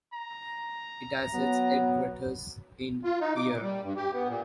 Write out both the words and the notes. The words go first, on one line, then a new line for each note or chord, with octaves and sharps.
It has its headquarters in Pierre.
A#5
F#3 B3
F4
D#4
D6
A#2
G3
G2
G4
B3
A#2